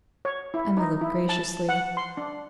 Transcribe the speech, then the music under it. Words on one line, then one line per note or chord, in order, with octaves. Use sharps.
Emma looked graciously.
C#5
E4
D#4
E4
A5
F#5
C6
D4